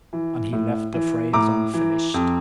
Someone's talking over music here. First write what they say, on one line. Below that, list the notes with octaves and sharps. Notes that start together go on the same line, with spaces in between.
And he left the phrase unfinished.
E3
A2
E3
A2 A#5 D6
E3
F2